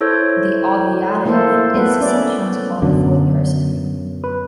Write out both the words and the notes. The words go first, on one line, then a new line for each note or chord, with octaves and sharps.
The obviative is sometimes called the fourth person.
E4 A4 C5 C#5
A3 A#3 E4 A4 C5
A3 B3 B4
C#4 D5
F#2 B2 D3
B4